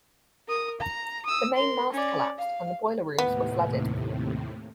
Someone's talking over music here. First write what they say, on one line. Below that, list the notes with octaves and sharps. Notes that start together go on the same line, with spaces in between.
The main mast collapsed and boiler rooms were flooded.
A#4 D#6
A#5
D#6 E6
A#4 C6
C#4 D5
F5
D#2 A2 C3 B3